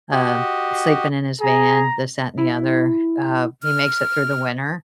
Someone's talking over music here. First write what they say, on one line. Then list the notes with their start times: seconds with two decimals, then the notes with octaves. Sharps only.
uh, sleeping in his van, this, that, and the other, uh, he makes it through the winter,
0.12 F#4 G4 D#5
1.41 G#4 A#5
2.38 E4
3.63 F6